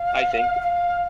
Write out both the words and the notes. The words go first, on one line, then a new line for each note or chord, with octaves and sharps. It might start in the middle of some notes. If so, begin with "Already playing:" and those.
I think
Already playing: F5
F5